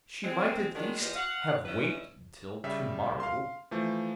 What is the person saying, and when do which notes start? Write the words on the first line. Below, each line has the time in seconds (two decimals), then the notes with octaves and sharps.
She might at least have waited till to-morrow.'
0.23 G#3 C4
0.75 D#3 G#3 C#4 D4 F#4
1.01 E2 F4 G4 D#5
1.15 F5 F#5
1.66 E2 C#4 B4 D#5 E5
2.64 C#3 G3 E5
3.20 F5 C6
3.71 E3 F3 A3